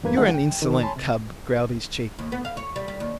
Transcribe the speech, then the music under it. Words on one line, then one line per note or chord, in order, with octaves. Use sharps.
"You are an insolent cub," growled his Chief.
E2 G2 A#3 B4 G#6
D3 D#3 G#3 A3 D4 F#5
G5
D#3
C#5 G#5 A5 B5 C6
C3 A6
D#2
B3
F5
C#5
G3
G3
D#2